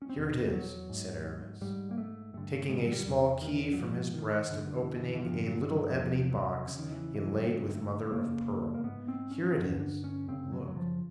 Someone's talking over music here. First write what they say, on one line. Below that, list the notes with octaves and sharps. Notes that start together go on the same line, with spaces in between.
"Here it is," said Aramis, taking a small key from his breast and opening a little ebony box inlaid with mother of pearl, "here it is. Look."
C#4
C4
E2 B2 B3
G3
F#3
G#2
G#2 G3
A#3
A3
G2 D3 A3
G#3
G3
F#3
G3
E2 B2
D#3
F#3
G#2 F3
D#3
F#2 D3
E3
E3
E3
G2 D3 F3
F#3
F#3
F#3
E2 C3 F3
F#3
E2 C#3
D#3
E3
E3
G2 D3 F#3
A3
F#2 C#3 A#3
A#3
G#2 B3
C4
C#4
C4
G2 D3 C#4
D4
C#4
F#2 C#3 C4
F#3
F#3
F3